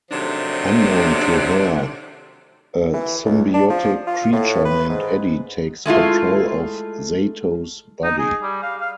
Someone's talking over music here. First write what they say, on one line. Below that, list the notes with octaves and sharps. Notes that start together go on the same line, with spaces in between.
Unknown to her, a symbiotic creature named Eddie takes control of Zato's body.
C3 D#3 F3 F#3 A3 D4
E3
C#2
D4
F3
F4
A2
B4
G#2
G#3 A3 E4 F4
D#4
G#4
G3
F5
F5